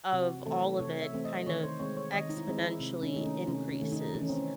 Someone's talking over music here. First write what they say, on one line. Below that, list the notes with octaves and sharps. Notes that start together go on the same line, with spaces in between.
of all of it kind of exponentially increases.
C3 F#4
E3 A3 C4 A4
C3 C#5
E5
E3 A3 C4
D#5
D#3 C#5
C5
G#3 C4 C#5
C#5
D#3 D#5
D#4
E4
G#3 C4
E4
C3
C#4
D#3 A3 D#4
C#4
C3 C#4
C#4
D#3 A3
D#4
E3 D#4
C#4
C4
C#4